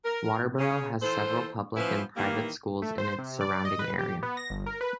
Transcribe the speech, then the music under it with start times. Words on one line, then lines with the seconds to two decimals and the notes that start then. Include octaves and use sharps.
Walterboro has several public and private schools in its surrounding area.
0.05 A#4
0.59 C#3 C#4
1.02 E3 F4 A4 C5
1.77 F3 B3 C#4 E4 B4 C5
2.17 D#3 E3 G3 A#3
2.82 A3
2.98 C5
3.19 C3
3.41 D5
3.65 D#5
3.79 B4
3.99 G4
4.23 B3
4.37 A#6
4.50 G1
4.66 A#4
4.81 B4